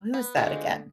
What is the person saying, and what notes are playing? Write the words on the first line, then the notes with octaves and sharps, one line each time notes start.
Who is that again?
B3
D3 G#3 C4 F4 F#4